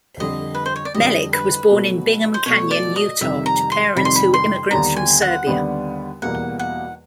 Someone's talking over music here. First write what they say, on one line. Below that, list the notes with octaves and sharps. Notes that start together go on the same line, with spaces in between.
Melich was born in Bingham Canyon, Utah to parents who were immigrants from Serbia.
F2 D3 G3 D#5
B4
C5
C#5
D5
F2 D3 G3 D#5
B4
B2 F#3 A3
C5
B2 F#3 A3 C#5
D5
D#5
F2 C3 D#3 G3 E5
A#5
C6
F2 C3 D#3 G3 B5
C6
B5
C6
D#2 D3 G3 B3 D4 A#5
G#5
F#5
D#2 D3 G3 B3 D4
E2 B2 G3 A#3 F#5
F#5